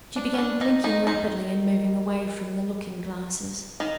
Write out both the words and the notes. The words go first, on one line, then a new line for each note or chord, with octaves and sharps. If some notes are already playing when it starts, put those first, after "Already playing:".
She began blinking rapidly and moved away from the looking glasses.
D4
C#4
D4
D#3 D#4
D#3 D#4
D#3 D#4
D#3 D#4